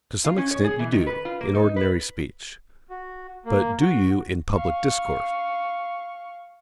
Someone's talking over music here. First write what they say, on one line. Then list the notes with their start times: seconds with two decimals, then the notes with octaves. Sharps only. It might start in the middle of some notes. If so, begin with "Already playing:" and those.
To some extent you do, in ordinary speech; but do you in public discourse?
0.25 F4
0.37 C#4
0.51 C#5
0.64 G#4
0.79 E3
0.92 D#3
1.07 B4
1.25 F4
1.41 A#3
1.55 D#4
1.76 B4
2.90 F#4
3.45 A#3
3.81 F#4
4.54 F5 C#6